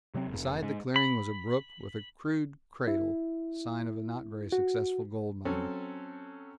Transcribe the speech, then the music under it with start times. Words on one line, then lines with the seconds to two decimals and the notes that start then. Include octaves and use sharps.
Beside the clearing was a brook, with a crude cradle--sign of a not very successful gold miner.
0.14 C3 F#3 G3 C4
0.28 F1
0.63 G#2
0.96 B5
2.88 E4
4.52 F#4
5.45 F#3 C4 C#4 A4